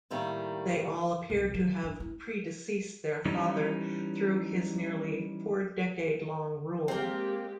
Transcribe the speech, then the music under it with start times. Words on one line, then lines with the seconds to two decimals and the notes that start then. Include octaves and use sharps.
They all appear to have predeceased their father through his nearly four-decade-long rule.
0.10 A2 D#3 G3 A3 A#3
1.30 C2
1.54 F#3
1.84 D4
2.00 E4
3.25 E3 G3 C#4 D#4
6.88 G#3 A#3 C4 G4